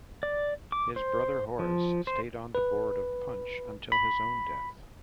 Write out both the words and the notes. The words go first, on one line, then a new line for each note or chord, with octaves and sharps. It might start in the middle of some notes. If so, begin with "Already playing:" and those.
His brother Horace stayed on the board of Punch until his own death.
D5
D6
C5
F3
C5
B4
B5